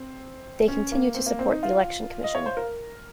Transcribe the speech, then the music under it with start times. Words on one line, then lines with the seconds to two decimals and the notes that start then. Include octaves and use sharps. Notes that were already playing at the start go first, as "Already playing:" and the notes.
They continue to support the election commission.
Already playing: C4
0.68 C#4
0.92 A#3
1.15 C4
1.26 A#3
1.39 C4
1.50 D#4
1.63 F4
2.24 D#5
2.35 C#5
2.46 C5
2.57 A#4